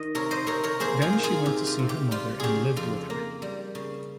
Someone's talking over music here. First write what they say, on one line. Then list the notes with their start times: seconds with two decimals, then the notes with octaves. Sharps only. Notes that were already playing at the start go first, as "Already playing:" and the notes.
Then she went to see her mother and lived with her.
Already playing: D#3 D#5
0.15 C3 A#4 C#5
0.31 C5 D#5
0.47 C3 A#4 C#5
0.64 A#4 C#5
0.80 A#3 G#4 C5
1.02 F4 G#4
1.13 D#3
1.23 F4 G#4
1.46 C3 G4
1.67 F4
1.79 C3
1.89 G4
2.11 G3 F4
2.40 C#3 G4 G#4
2.76 F2 F4
3.10 A#3
3.42 G3
3.75 C#3